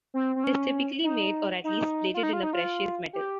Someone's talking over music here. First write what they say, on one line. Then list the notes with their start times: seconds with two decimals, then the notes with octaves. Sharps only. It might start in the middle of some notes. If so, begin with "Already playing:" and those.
It is typically made, or at least plated, in a precious metal.
0.14 C4
0.36 C4
0.44 C#4
1.03 D#4
1.64 D#4
2.14 F4
2.23 D#4
2.33 F4
2.43 D#4
2.53 F4
3.13 G4